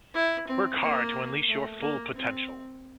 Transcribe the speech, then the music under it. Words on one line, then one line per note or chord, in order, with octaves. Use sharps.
Work hard to unleash your full potential.
E4
C4
A#3
A3
A#3
C4